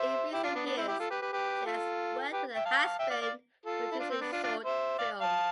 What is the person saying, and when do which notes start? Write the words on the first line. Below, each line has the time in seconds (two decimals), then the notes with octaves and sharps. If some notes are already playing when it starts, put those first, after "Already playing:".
In recent years, she has worked with her husband producing short films.
Already playing: C5 E5
0.33 E4 G4
0.43 D4 F4
0.55 B3 D4
0.65 B3 D4
0.77 C4 E4
0.88 E4 G4
0.99 F4 A4
1.10 G4 B4
1.22 G4 B4
1.33 G4 B4
1.66 F4 A4
2.33 G4 B4
2.55 E5 G5
2.65 F5 A5
2.99 E5 G5
3.10 D5 F5
3.21 D5 F5
3.65 F4 A4
3.92 E4
3.99 D4 F4
4.10 C4
4.21 B3 D4
4.32 D4 F4
4.43 D4 F4
4.65 C5 E5
4.98 D5 F5
5.21 F5 A5